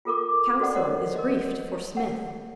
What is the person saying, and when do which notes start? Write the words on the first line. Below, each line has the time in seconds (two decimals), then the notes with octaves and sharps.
Counsel is briefed for Smith.
0.05 F4 A4 A#4 D6
0.60 F#4 A4 D5 D#5 F#5
0.75 A#4 C5 C#5 D#5 F#5
1.15 A#4 D#5
1.97 F#5